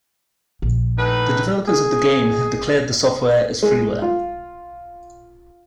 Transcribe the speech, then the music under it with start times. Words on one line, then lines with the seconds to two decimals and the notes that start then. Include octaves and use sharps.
The developers of the game have declared the software as freeware.
0.62 A#1
0.97 A2 D#4 B4
1.68 G#4
3.62 G#3
4.02 F4